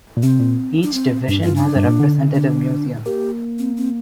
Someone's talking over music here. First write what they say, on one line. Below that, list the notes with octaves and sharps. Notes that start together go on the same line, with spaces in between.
Each division has a representative museum.
A#2
C3 C4
A#2
D4
C4
G2 D4
G2 F4
D4
G2
A#2
D3
D4
A#3 G4
C4
C4